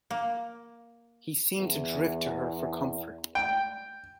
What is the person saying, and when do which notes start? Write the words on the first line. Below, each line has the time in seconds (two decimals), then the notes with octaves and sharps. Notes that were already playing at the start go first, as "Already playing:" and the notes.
He seemed to drift to her for comfort.
0.11 A#3
1.57 E2
3.35 G5